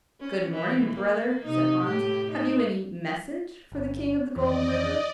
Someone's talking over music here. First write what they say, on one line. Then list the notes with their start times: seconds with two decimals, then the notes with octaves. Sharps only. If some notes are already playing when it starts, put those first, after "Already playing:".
"Good morning, brother," said Hans; "have you any message for the King of the Golden River?"
0.20 C#4
0.50 E3
0.90 A#3
1.44 C3 D#4
1.83 A2 G4
2.31 D#4
3.72 G1
4.36 F2 D#3 E3 D5 D#5